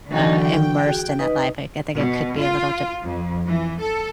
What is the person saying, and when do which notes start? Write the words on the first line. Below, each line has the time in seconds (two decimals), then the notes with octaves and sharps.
uh, immersed in that life, I c I think it could be a little de
0.11 D3 E3 F#3 D#4 F#4 C#6
0.42 G5
0.84 F#4 G#4
1.19 D#4 B4 D#5
1.98 B2
2.39 F4
3.04 F2
3.47 E3
3.81 A4